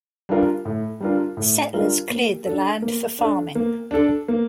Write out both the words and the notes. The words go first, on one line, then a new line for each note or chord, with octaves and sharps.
Settlers cleared the land for farming.
G3 D4 F4 A#4
A2
G3 D4 F4 A#4
A2
G3 D4 F4 A#4
A#3
D4 A4
A#3
D4 A4
A#3
D4 A4
A#3